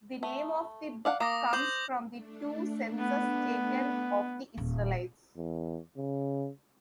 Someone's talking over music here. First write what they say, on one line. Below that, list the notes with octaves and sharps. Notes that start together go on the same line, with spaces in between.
The name of the book comes from the two censuses taken of the Israelites.
A3
D5 F5 F#5
A#3 D6 D#6 A#6
C5 D6 G6 F#7
A3 D4
B3
D#1
E2
C#3